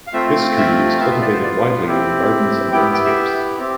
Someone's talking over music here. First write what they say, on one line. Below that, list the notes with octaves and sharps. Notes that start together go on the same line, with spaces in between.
This tree is cultivated widely in gardens and landscapes.
F5
A3 C4 F4 E5
E5
B3 F4 E5
E5
D5
C5
D5
C4 E4 G4
B3 E4 G4 G5
G5
E5
C4 G4